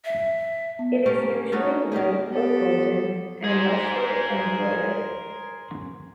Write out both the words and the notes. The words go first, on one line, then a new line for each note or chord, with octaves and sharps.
It is usually white or golden, and lushly embroidered.
E5
B3
A3 A#3 C#4 G4
A3 C#4 D#4 F#4
A#3 C#4 G4 G#4
B3 G4 A4
G#4 A#4 C5